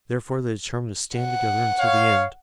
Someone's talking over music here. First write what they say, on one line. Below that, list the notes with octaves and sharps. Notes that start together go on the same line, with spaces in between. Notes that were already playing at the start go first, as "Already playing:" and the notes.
Therefore, they determined to stand together until the end.
F#5
C#5 F5